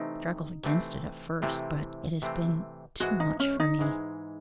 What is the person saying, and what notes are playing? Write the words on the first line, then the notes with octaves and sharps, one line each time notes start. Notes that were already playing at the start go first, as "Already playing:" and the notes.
I struggled against it at first, but it has been too much for me.
Already playing: C3 E3 A3 C4 D#4
C3 E3 A3 C4
C3 E3 A3 C4 E4
C3 E3 A3 C4
G#2 E3 G#3 F#4
D#4
C#4
D#4
G#2 E3 G#3